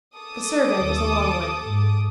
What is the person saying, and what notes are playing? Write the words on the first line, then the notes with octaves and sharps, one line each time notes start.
The survey was a long one.
A4 D6 D#6
D#2
G#2